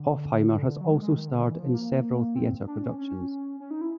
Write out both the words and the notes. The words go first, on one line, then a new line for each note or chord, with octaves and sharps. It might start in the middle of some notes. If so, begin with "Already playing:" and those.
Hofheimer has also starred in several theatre productions.
Already playing: D3
D3
D3
F#3
G#3
G#3
D#3
D3
E3
F3
A#3
C4
D4
C#4
C#4
C#4
D#4
E4